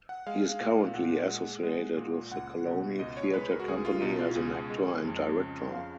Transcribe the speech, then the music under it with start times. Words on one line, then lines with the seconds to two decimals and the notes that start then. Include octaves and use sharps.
He is currently associated with the Colony Theatre Company as an actor and director.
0.09 F#5
0.27 G#3 F5
0.61 A#2
0.94 A#2 F#5
1.29 G#3
1.63 G#3
1.97 A#2
2.31 C#2 F#5
2.65 B2
2.99 C#2 D#5
3.17 C#5
3.34 G#3 B4
3.51 A#4
3.60 F#4
3.68 C#2 G#4
3.85 F4
4.02 B2 D#4
4.19 F4
4.35 C#2 G#4
4.70 G#3
5.04 F2
5.38 C#3
5.72 F2 F5